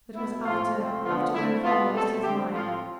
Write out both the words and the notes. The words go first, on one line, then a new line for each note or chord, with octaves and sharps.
That was after--after grandfather lost his mind.
B2 B3 E4
A2 F3 A3 C4 F4
C3 F3 A3 C4
D3 F3 B3 F4
D3 A3 C4 E4
B2 B3 F4
B2 A3 C4 A4
D3 A3 C4 G4
A2 F3 C4 F4